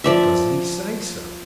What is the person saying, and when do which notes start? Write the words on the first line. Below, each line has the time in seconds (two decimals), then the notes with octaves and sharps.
"But does he say so?"
0.04 F3 D5 E5